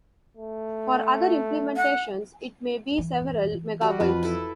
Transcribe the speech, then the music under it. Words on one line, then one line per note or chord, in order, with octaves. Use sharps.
For other implementations, it may be several megabytes.
A3
F#5
E3
G3 F#4
F2 F4 B4
E4 A4